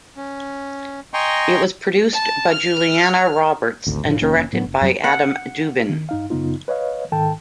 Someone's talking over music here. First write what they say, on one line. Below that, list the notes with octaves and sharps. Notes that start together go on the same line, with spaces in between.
It was produced by Juliana Roberts and directed by Adam Dubin.
C#4
D#5 G5 G#5 A#5 C6 C#6
A5
F6
G#1 D2
F#1 A2 C#3 F3
F1 D#2 A#3 C#4
A2 F#3 B3
F#1
F#2 F#3 G3
F#5
D#3
G2 D#4 F5
F#2 C#3 B3 D#4 F4
B4 C#5 D#5 F5
G#2 D#3 A4 G5 A5